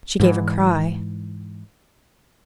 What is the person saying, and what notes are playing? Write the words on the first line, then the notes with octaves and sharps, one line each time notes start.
She gave a cry.
G#2 E3